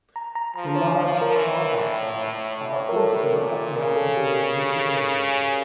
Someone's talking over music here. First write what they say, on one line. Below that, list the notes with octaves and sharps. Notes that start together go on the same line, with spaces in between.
The large "Barbus" barbs are also often eaten in their native range.
A#5
A#5
F3 A#5
C#5
F3 D5
C#5
A#4
E3 C#5
A2
A2
D5
C#5
A#4
A4
A#4
A#2 D5
D5
C#3 A#4
A4
G4